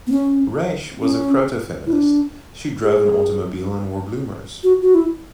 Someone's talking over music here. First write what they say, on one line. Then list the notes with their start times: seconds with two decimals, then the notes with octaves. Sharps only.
Raiche was a proto-feminist, she drove an automobile and wore bloomers.
0.07 B3
0.12 C#4
1.02 C#4
1.87 E4
1.93 D4
2.83 G#4
4.64 F#4
4.82 F#4
4.95 E4